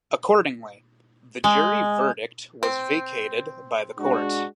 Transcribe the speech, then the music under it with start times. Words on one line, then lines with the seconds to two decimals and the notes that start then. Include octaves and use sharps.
Accordingly, the jury verdict was vacated by the Court.
1.44 G#3
2.63 C4
3.99 G#3 D4 F#4